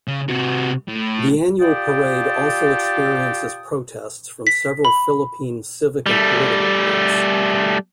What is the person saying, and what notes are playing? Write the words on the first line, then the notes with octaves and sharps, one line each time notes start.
The annual parade also experiences protests from several Philippine civic and political groups.
C#3
C3 F#4
A2
F4 G4 D5 G5 A5 D#6
B6
B5
G3 A3